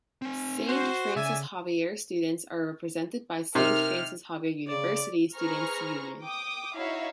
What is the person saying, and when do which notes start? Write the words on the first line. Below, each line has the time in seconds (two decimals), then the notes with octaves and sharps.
Saint Francis Xavier students are represented by Saint Francis Xavier University Students' Union.
0.22 C4 G#5
0.69 F#4 C5
1.16 C#3 D5 E5 G#5
3.55 C3 D#4 A#4 F6
4.68 C#3 D5
5.35 G#4 B4 C5 A#5 C#6 F6
6.21 G5 D6 D#6
6.74 D#4 E4 F#4 C#5 E5 F5